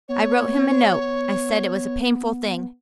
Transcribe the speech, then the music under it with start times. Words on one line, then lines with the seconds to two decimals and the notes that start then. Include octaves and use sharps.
'I wrote him a note, I said it was a painful thing.
0.09 B3 C#5